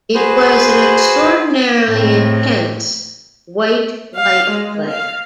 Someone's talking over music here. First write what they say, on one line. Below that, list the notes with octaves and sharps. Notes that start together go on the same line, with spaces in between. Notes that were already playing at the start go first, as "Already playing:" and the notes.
It was an extraordinarily intense "white light flare".
F#4 G#4 B4 C5
A2 C4
F5
G#3
F5